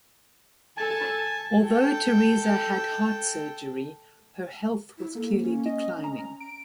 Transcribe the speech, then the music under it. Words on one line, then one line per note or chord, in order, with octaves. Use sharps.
Although Teresa had heart surgery, her health was clearly declining.
A4 G#5 A5
A4 G5
E4
A#3 A4
C#4
D#5
A#5
D7